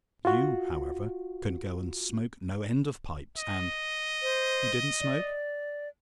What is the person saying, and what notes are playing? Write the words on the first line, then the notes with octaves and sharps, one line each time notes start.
You, however, can go and smoke no end of pipes and--YOU DIDN'T SMOKE?
F4 F#4
D#5
C5
D5